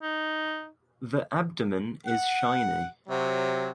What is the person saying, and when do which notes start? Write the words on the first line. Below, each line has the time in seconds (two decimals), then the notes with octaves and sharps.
The abdomen is shiny.
0.03 D#4
2.06 F#5
3.08 C3 F#3